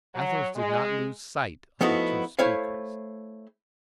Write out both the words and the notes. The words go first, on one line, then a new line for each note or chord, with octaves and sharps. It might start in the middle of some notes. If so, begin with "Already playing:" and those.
Athos did not lose sight of the two speakers.
F#3
G#3
F3 A3 B3 D#4 E4 F#4
A3 E4 C5 C#5 F5